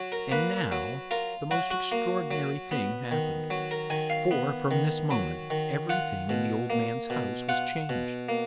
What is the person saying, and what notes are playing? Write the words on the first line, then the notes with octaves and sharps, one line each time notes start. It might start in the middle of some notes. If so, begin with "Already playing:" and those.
And now the most extraordinary thing happened, for from this moment everything in the old man's house was changed.
Already playing: F#3
A#4
A#3 B4
F#3
F4 A#4
F#3 F#4
F#4
A#3
F#3
B3
D#3
F#3
A#4
D#3 G#5
F5
B3
D#3
F#3
D#3
F4 F#5
B2
A#3
B2
F4 F#5
B2
A#3